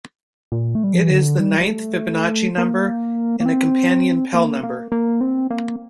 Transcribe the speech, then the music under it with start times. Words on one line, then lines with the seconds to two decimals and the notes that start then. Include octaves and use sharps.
It is the ninth Fibonacci number and a companion Pell number.
0.52 A#2
0.75 A3
0.84 G3
0.93 F3
1.03 E3
1.10 D3
1.40 G3
1.60 G3
1.69 A3
2.58 A#3
3.40 A#3
3.46 C4
4.34 A#3
4.63 A#3
4.92 A#3
5.21 C4
5.50 A#3